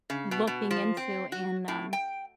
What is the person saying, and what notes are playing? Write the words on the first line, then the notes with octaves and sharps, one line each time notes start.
looking into and, um
C#3
B2
B2
F3
C4
F#4
A2
G5